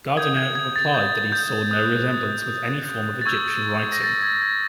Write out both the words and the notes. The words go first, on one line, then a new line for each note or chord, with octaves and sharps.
Gardiner replied that he saw no resemblance with any form of Egyptian writing.
D#6 G6 G#6
G#6
G#6
A6
G6
G6
D#6 F#6
A6
C#6 E6 G6 G#6
A#6
A6
G#6
G#6